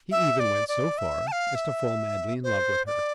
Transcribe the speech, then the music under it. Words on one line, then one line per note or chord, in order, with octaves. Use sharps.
He even went so far as to fall madly in love with her.
E5
D5
D5
E5
A5
F5
E5
C5
D5